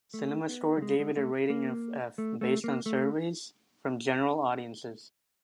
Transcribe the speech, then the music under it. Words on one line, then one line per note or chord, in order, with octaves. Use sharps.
CinemaScore gave it a rating of "F" based on surveys from general audiences.
A3
B3
G3
G#3
G#3
A3
A#3
A3
A3
A#3
A3